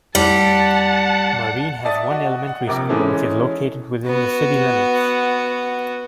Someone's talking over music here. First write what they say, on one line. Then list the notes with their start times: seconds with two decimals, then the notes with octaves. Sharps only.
Marine has one elementary school which is located within the city limits.
0.15 F2 G3 F#5 A5
1.85 D5 E5 A5 D#6 A6
2.10 F#4 D#5
2.47 F#5
2.67 A#1 C3 A#4 D6
2.89 E3 G#3 C#4 D#4 A4
4.07 B3 F#4